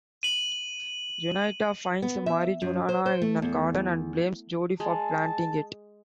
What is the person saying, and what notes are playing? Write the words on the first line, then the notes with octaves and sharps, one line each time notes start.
Juanita finds marijuana in her garden and blames Jody for planting it.
D#7 F#7
B3
E5
F#2
C5
C5
A3
E2
G#3 A5